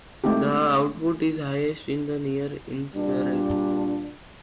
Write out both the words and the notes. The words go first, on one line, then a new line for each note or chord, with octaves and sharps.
The output is highest in the near infrared.
G#3 A3 C4 D#4 G4
A#2 G3 D4